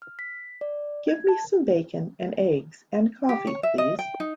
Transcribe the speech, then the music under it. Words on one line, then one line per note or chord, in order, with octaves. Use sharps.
Give me some bacon and eggs and coffee, please.
F6
B6
D5
G#6
A5
G4
C#5
E5
D#5
G5
D#4